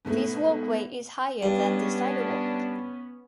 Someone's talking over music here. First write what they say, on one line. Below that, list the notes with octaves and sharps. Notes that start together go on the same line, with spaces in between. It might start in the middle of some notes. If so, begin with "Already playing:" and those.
This walkway is higher than the sidewalk.
G#2 B2 A3
G2 B3 C#4 D4